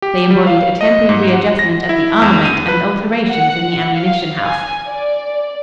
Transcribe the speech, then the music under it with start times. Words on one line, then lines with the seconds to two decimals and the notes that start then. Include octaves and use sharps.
They embodied a temporary readjustment of the armament and alterations in the ammunition house.
0.02 G4
0.30 G3
0.47 F5
0.81 D#5
1.09 G#2
1.33 F#5
1.59 A#6
1.89 E4
2.22 E2
2.45 D#7
2.68 B4
3.28 F#5
3.93 F5
4.46 G#5
4.87 D5